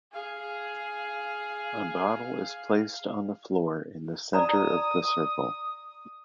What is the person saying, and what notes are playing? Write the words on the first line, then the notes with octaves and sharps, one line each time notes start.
A bottle is placed on the floor in the center of the circle.
G#4 F5
D5 A#5 B5 D#6